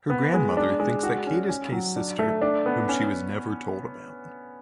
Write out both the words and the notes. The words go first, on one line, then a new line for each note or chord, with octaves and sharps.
Her grandmother thinks that Kate is Kaye's sister whom she was never told about.
B3
G#3
D4
G#3
F#4
C#4
C#4
F#3
D4
A3
D4
B3
C#4